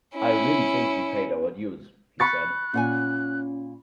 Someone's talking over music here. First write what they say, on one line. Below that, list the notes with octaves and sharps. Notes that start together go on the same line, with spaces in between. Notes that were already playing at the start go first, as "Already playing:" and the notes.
"I really think we paid our dues, "he said.
C#4 E4
B5 C#6 F#6 A6
A#2 C#4 F#5 G#5